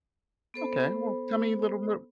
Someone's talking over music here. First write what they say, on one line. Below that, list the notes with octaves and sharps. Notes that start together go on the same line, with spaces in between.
Okay. Well, tell me a little bit
B3 A4 C5 B5